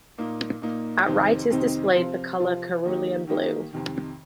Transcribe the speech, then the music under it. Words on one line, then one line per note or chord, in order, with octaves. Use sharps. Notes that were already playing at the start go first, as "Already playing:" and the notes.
At right is displayed the colour cerulean blue.
A#2 A#3 D#4
A#2 A#3 D#4
F2 C3 D#3 C4 D#4
F2 C3 D#3 C4 D#4
C3 F3 C4 F4
C3 F3 C4 F4
D#3 A#3 D#4 G4
D#3 A#3 D#4 G4
F2 C3 D#3